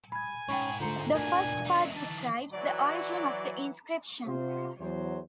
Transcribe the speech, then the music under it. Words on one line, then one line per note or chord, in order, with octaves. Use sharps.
The first part describes the origin of the inscription.
G#5 B5 G#6
G#2 C#4 G5 B5 C#6
D3 A3 F4 C5 A#5 C#7
E2 G#2 D4 A#4 G#5
E3 D#4
A5
E3 F#3 D5
C3 F4 C5
E2 F#3 C5